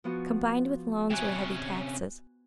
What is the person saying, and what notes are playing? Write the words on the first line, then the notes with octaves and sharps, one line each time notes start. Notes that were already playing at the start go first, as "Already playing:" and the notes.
Combined with loans were heavy taxes.
F3 B3 F#4
C3 C#4 G#5 F#6